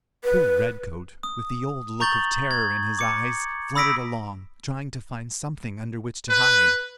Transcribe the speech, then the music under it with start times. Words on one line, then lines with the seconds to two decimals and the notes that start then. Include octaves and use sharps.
Poor Redcoat, with the old look of terror in his eyes, fluttered along, trying to find something under which to hide.
0.24 B4
1.23 D#6
2.00 A#5 C#6 G6 A6 F#7 G7
2.51 G#6
2.99 D6 C#7
3.75 B5 D#6 E6 A#6 B6 D7
6.29 B4